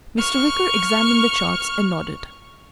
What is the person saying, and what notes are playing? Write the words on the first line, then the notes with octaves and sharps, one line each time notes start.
Mr. Wicker examined the charts and nodded.
C#6 F6